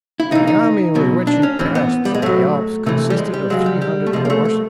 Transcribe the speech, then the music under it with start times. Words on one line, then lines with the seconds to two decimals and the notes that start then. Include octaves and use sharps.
The army with which he passed the Alps consisted of three hundred horse.
0.20 E4
0.31 C#3 E3 D#4
0.47 D#4
0.95 B2 F#3
1.27 D4
1.43 C#4
1.59 A2 E3 C4
1.75 B3
2.05 G3
2.14 G#3
2.22 A2 F#3 A3
2.86 C3 E3 A3
3.10 G3
3.18 G#3
3.34 G3
3.50 C#3 F#3 G#3
3.66 G3
3.82 G3
4.07 A3
4.13 C3 F3 G#3
4.25 A#3
4.30 A3
4.45 A3